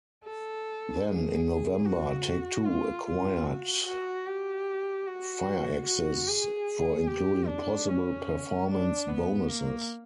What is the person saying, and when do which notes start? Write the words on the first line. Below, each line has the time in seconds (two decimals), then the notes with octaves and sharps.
Then in November, Take-Two acquired Firaxis for including possible performance bonuses.
0.25 A4
1.05 G#4
1.85 F#4
2.65 F4
3.06 F4
3.46 F#4
3.86 F#4
4.27 G4
5.07 F#4
5.87 F#4
6.28 G#4
7.07 G4
7.47 D4
7.89 C#4
8.69 D4
9.08 B3
9.49 A#3